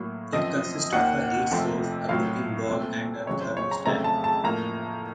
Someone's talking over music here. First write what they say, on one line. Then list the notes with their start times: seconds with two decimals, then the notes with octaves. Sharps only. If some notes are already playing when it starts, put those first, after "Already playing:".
It consists of a heat source, a cooking bowl, and a thermostat.
Already playing: A2 F#3 A#3
0.33 F#2 F3 C4 D#5
0.92 D#2 D#3 A#3 F#5
1.51 F2 C3 F3 A3 C4
2.09 A2 F#3 C4 F5
2.68 C2 A#2 A3 C4
3.26 F2 C#3 F#3 C#5
3.41 C5
3.57 C#5
3.71 A#5
3.86 F2 C#3 F#3 A3 C4 A#5
4.04 A5
4.24 A5
4.43 A2 F3 A#3 A#5